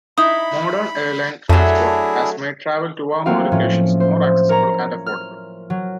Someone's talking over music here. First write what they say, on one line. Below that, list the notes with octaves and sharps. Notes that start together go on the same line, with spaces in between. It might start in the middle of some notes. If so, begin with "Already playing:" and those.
Modern airline transport has made travel to warmer locations more accessible and affordable.
D#4 E4 B5 D#6
F2 F#3 A3 D4 E4 G#4
F#3 A3 A#3 C4 F#4 F5
A2 F3 A3 C#4
C5
A#4 C#5 A#5
F6
F#3